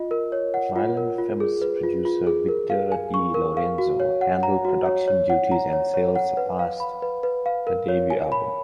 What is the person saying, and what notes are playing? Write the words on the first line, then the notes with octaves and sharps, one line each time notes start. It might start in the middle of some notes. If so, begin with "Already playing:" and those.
Violent Femmes producer Victor DeLorenzo handled production duties and sales surpassed her debut album.
Already playing: F4 D#5
A#4
C#5
F#5
F4
A#4
F4
G#4
B4
F4
F4
G#4
A#4
F5
G#5
C#6
A#4
F5
F#4
C#5
F#5
A#5
F#4
C#5
C#5
F#5
A#5
C#5
C#5
F#5
B4
F5
B5
B4
B4
F5
A#4
C#5
G#5
B5